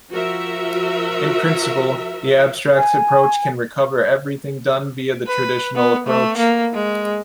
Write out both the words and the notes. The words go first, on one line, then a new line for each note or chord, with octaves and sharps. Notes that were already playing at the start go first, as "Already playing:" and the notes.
In principle the abstract approach can recover everything done via the traditional approach.
F3 F#4 A#4 E5
G#5
B4
B3
A3
A#3
G#3